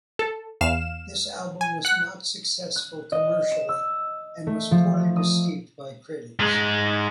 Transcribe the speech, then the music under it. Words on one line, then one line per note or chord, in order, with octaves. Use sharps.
This album was not successful commercially and was poorly received by critics.
A4
E2 F5 F6 E7
G#5
F#5 F#6
F#6
D#5
E7
E6
A3
F3
D#6
G#2 G#3